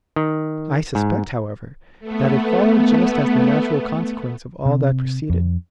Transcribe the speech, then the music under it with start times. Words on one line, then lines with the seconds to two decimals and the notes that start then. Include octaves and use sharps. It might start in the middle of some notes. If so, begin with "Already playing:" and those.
I suspect, however, that it followed just as the natural consequence of all that preceded.
0.16 D#3
0.95 G#2
2.00 A3 B3
4.65 C3
5.30 F2